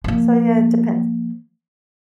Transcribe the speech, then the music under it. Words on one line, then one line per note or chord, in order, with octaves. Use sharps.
So yeah, it depends.
F3 A#3